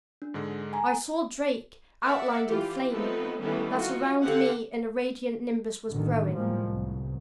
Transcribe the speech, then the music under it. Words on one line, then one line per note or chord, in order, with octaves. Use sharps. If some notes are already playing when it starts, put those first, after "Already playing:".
I saw Drake outlined in flame; that around me a radiant nimbus was growing.
D4
G#2 D3 G#3
G#5 A#5
A#4 D5 E5 F#5
E3 F4 G4
F3 A3 B3 C4 D#4 B4
D#3 E3 G3 A3 B3 C#4
D#4 F4 F#4
D3 C4 G4 F5 F#5
A1 B2 D3 D#3
A2 F3 G3 G#3 A#3
C2 B2